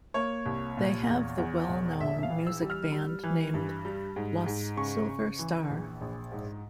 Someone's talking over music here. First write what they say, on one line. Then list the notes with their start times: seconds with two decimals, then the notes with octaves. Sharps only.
They have the well known music band named "Los Silver Star".
0.14 A#3 C#5
0.46 C2
0.77 A#2
1.08 E2
1.38 E2
1.69 E1
2.00 A#1 E5
2.18 E5
2.23 F5
2.30 E3
2.47 E6
2.62 G3
2.70 F6
2.92 G3
3.24 E3
3.54 G2
3.85 G3
4.16 G#2
4.46 G#2
4.77 C#3 C#6
5.08 C#3
5.39 E3
5.70 A#1
6.01 A#1
6.32 G#2